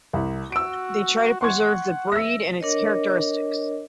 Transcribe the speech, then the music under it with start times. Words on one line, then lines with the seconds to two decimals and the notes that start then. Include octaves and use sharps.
They try to preserve the breed and its characteristics.
0.13 C2
0.52 F#4 E6 D7
1.41 F#5 C6 C#6 G#6
2.12 E5 E6 A#6
2.60 D4 A#4 C#5 D#5